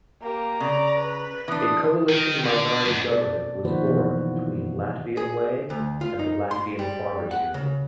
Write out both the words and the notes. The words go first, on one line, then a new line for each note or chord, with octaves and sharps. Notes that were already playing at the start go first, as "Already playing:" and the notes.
A coalition minority government was formed between Latvian Way and the Latvian Farmers' Union.
A#3 G4 A#5
C#3 D5
B4
E3 D4 D#6
D#3
D3
F#2
B2 A4 D5
D#3 F3 A#3 F#4 B4 C5
B2 E3
G#4
D2
F4
D#4
C6
G3
F#5
C#3